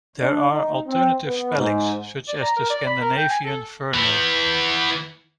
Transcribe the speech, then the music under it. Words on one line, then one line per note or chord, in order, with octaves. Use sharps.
There are alternate spellings, such as the Scandinavian "Verner".
D4
D#4
C4
B3
G#2
D5
A#5
A#4
D5
B5
A#4
G5
G#5
A4
E3 B3